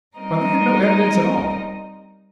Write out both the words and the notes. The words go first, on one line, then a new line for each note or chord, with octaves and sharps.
Why they have no evidence at all!
G3 C4 D#4 A#4 D#5